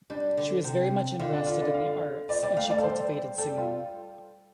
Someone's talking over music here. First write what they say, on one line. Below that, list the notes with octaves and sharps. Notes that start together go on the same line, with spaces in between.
She was very much interested in the arts and she cultivated singing.
G3 D4
D3
C3
D3 F4
D4
F4
D5
F5
F3 D5
G3 D5
A3 F5
G3 D5
A4
C5
G3 A4
F4